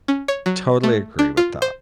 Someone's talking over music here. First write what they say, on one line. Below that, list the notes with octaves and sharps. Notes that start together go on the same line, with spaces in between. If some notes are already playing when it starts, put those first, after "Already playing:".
Totally agree with that.
C#4
C#5
F#3
A3
D4
F4
C5